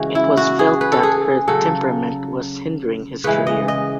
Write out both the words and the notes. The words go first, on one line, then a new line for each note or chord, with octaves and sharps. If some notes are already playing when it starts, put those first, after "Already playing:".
It was felt that her temperament was hindering his career.
Already playing: C#3 E3 G#3 F#4
E4
F#4
G#4
B4
A4
G#4
C#3 F#3 A4
C#3 E3 G#3 B4
D#5
D#5